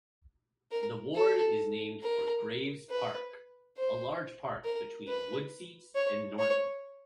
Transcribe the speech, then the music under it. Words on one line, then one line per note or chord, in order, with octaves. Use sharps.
The ward is named for Graves Park-a large park between Woodseats and Norton.
A#4
A4
A#4
B4
C5
A#4
B4
C#5
C#5